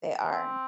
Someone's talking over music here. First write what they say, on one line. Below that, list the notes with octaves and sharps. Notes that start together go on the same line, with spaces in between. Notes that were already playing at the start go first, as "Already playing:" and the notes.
they are.
C4